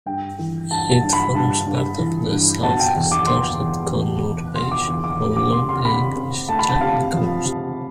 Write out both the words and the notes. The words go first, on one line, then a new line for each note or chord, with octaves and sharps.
It forms part of the South East Dorset conurbation along the English Channel coast.
G2 G5
E3
G2 A5
A5
G2
B5
G2 A5
G2
E3
G2
B2 A5
G5
E2
D6
B3 C6
E2
E2
E2
B2 C6
D6
E2 D6
D6
A3
D6
C3 C6
C6
C3 B5
C4
A3 A5
B5
A5
C3 F5
F3
C3